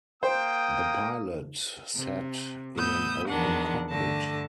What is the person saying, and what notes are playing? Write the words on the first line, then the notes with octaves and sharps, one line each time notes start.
The pilot sat in an open cockpit.
A#3 C5 G5 D#6
C3
A2 B3 D#6 E6 G6
E2 D#3 F3 D4 F#5
G2 D3 A3 A5 A#6